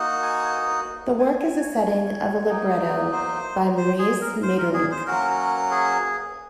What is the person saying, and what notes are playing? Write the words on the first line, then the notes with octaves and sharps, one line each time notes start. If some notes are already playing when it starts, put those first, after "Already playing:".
The work is a setting of a libretto by Maurice Maeterlinck.
Already playing: A#3 D#4 F#4
G#5
G#5
G#5
C#5
F#3 A#3 D#4
C5
C5
G#4
A#4
C5
A#4
G#4
C5
F#3 A#3 C#4 F#4 A#4
G#4